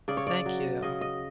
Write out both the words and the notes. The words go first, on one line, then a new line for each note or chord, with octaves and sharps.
Thank you.
C#3 D5
C#5
D5
F#3
C#3 D#5
D#5